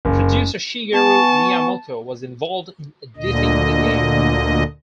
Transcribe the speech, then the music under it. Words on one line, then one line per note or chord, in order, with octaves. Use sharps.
Producer Shigeru Miyamoto was involved in editing the game.
F#1
B3 G#5 A5 C#6
D2 A#2 D3 D#5